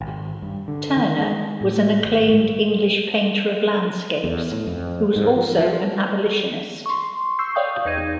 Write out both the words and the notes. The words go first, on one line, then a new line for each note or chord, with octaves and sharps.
Turner was an acclaimed English painter of landscapes who was also an abolitionist.
G#1
G2
D3
D#3
G#3
A2
G#1
A2
E2
A2
F2
G#2
F3
F3
C6 C#6
C#6 E6 G6 C7
C#5 D5 F5 G5 D#6 G6
E2 D#4 G#6 D#7